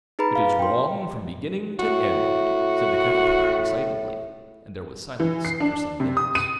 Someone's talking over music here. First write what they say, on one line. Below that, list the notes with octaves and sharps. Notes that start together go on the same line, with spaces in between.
'It is wrong from beginning to end,' said the Caterpillar decidedly, and there was silence for some minutes.
D#4 G#4 B4 A#5 B5
F5
G5 C6
A2 F#4
E3
C7
D4
C3
D#6
D#7